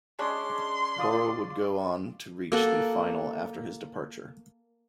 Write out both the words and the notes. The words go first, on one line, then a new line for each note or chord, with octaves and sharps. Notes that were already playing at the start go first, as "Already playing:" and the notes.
Boro would go on to reach the final after his departure.
G#3 C#4 D4 C6
F4 D5 D#6
A#3 A4 F#5